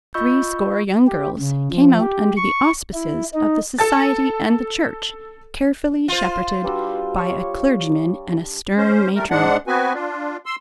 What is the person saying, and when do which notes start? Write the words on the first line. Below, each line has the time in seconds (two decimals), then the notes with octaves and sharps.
Threescore young girls came out under the auspices of the society and the Church, carefully shepherded by a clergyman and a stern matron.
0.14 F4 D#5 B5 C#6 E6 G6
1.07 G4
1.39 C#3
1.71 F3
2.00 G4
2.37 C#6
2.94 E4
3.34 D#4
3.79 A4 A5 A6
6.08 F4 C5
6.64 G3 D4 F#4 B4 E6
7.18 C#5 F5 C#6
8.77 C#4 C5
9.15 G3 A3 A#4
9.30 G#2 G#3 D4 F#5
9.67 B3 C4 F#4 B4 G#5
9.94 D4 F4
10.46 C6 E6